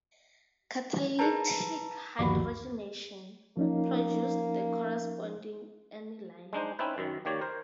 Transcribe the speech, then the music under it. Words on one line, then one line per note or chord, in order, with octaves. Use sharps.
Catalytic hydrogenation produced the corresponding aniline.
D#4 G#4 A#4 B4 A5 A#5
G1 D#2 F3 F#4 B5
F3 A#3 C#4 D#4
G#3 D4 D#4 C5
C4 C#4 D#4 E4 B4
F#2 D#3
D#3 A#3 G4 C#5 D5
A#4 C5